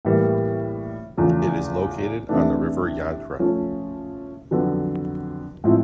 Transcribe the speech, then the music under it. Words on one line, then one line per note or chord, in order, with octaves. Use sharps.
It is located on the river Yantra.
A2 E3 G3 A#3
E2 C#3 F3 A3
C3 E3 A3 D4
F3 A3 C#4
F2 D3 F#3 B3
A2 F3 G#3 C4 E4